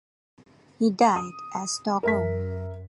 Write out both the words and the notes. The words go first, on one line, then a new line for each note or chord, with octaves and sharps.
He died at Stockholm.
D#6
F#2 A#4 E5 B6